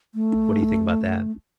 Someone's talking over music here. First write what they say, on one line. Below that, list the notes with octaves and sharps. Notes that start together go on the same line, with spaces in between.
What do you think about that?
A3